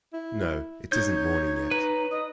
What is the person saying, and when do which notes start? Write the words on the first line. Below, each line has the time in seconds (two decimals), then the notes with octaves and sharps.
No, it isn't morning yet.
0.13 E4
0.92 D#4 C#5 G6 G#6
1.71 B4 A#5
2.11 D#5 D#6